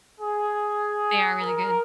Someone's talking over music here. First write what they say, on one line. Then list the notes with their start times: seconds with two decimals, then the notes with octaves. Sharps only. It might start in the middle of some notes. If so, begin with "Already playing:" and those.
They are really good.
0.20 G#4
1.41 A#4